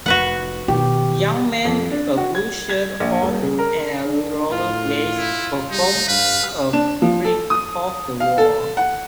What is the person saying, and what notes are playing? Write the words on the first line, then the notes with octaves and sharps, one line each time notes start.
Young man with a blue shirt on and rollerblades performs a trick off the wall.
F1 F#4 B4 F#5
B2 D#3 G4
F2
D4
F#4
G#6
G#6
A#1
D#1
C#3
A#4
D4
A2 F4
E4
G3 D#4
G2 B4 F5
D4
F3
A4
D#6
F5
A4
F#5